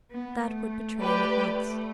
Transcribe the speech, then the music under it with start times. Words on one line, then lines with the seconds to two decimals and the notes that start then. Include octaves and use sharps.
That would betray him at once.
0.12 B3
0.41 A3
1.01 G4 B4 D5 G5
1.59 A3